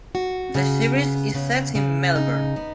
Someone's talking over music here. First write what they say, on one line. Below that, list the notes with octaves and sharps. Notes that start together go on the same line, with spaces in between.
The series is set in Melbourne.
F#4
C#3
B3
C#3
C#3
D#4
B3